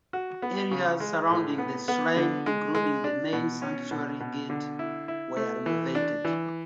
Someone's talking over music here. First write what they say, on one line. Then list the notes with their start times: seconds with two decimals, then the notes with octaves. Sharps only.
Areas surrounding the shrine including the Main Sanctuary Gate, were renovated.
0.13 F#4
0.42 B3
0.71 C#3
1.00 G#3
1.30 A2
1.58 B3
1.88 B3
2.16 D3
2.46 G#3
2.75 G#3
3.04 D4
3.33 B2
3.62 C#4
3.91 B2
4.20 B2
4.50 D3
4.79 E4
5.08 E4
5.37 A3
5.66 E3
5.95 D4
6.25 E3